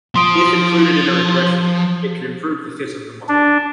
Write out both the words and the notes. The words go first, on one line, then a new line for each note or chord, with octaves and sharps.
If included in a regression, it can improve the fit of the model.
F3 C6 D#6 D7
D4